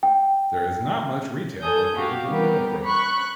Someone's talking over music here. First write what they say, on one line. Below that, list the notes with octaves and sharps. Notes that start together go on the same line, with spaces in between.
There is not much retail located in Meadowbrook.
G5
A4 G#5 D#6 G6
F#4 G4 F5
G3 B3 G4 A#4
B5 C#6 F#6